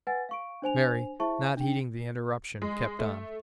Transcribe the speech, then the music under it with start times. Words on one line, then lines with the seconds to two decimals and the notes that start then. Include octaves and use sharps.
Mary, not heeding the interruption, kept on.
0.07 B4 F#5 G#5 A6
0.29 F5 C#6 D7
0.62 D4 C5 G#5 F7
1.20 E4 G#4 C5 E5 A5 C#6
1.57 D4 G5
2.62 G#3
2.99 A3